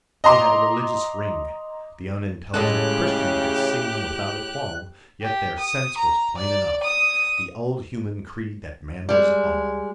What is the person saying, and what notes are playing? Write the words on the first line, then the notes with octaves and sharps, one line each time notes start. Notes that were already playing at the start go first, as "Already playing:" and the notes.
They had a religious ring; the unintelligent Christian could sing them without a qualm; yet their sense was plain enough--the old human creed that man was all.
D#5 A#5 C6 D6
A2 C#3 G#3 G4 A4 F#6
G4
D#6
A#5
D5
D#6
G3 G#3